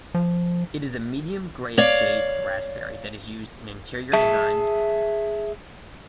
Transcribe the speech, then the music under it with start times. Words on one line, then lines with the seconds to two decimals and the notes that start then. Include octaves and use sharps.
It is a medium grayish shade of raspberry that is used in interior design.
0.14 F3
1.78 C#5 D5 F5
4.13 G#4 E5 A5